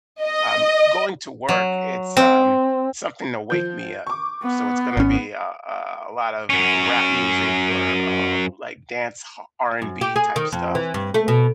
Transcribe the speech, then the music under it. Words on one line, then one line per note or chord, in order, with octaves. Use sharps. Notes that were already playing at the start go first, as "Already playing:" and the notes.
Um, going to work, it's, um, something to wake me up, so it's gonna be a a a lot of rap music or, uh, like, dance ha R and B type stuff.
D#5
F#3
C4
F3 G6
C#6 D6
B3
G#1 C#4
F#2 C#4
F#2
G4
G#4
D#3
F2
E3
G2
A3
B2